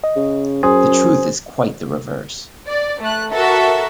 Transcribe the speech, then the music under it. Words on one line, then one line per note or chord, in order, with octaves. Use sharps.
The truth is quite the reverse.
D#5
C#3
F#2 G#4 C5
D5
A3 F#6
F#4 A4 A#4 E5